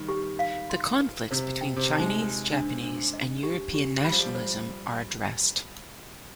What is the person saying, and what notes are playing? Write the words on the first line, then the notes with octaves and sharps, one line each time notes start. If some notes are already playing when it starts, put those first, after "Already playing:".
The conflicts between Chinese, Japanese, and European nationalism are addressed.
Already playing: D#3 G3
G4
F5
C6
B4
C3 C5
G5
C3
D#4
G#3
B4
D4
D4
D#5
G4
G4
G3 B5
F3
G3
C5